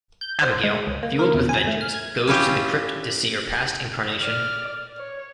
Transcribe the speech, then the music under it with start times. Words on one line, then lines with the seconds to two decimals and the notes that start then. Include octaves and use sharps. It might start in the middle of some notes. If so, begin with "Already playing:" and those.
Abigail, fueled with vengeance, goes to the crypt to see her past incarnation.
0.21 G6
0.42 C5
0.64 G#3
0.87 C#2
1.03 A#3
1.19 A#4
1.34 E2
1.49 G#5
1.67 A3
1.81 F6
1.94 G#6
2.27 C#4 E4 F4 G4
4.21 D5 F6
4.98 C#5